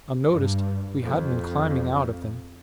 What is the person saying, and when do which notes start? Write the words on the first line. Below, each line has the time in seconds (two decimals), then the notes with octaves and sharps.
Unnoticed, we had been climbing out of them.
0.28 G2
1.03 F2